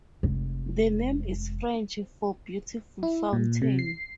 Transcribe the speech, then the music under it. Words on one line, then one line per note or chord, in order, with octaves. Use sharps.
The name is French for "beautiful fountain".
F1 G#3
E4
A#2
C3
C7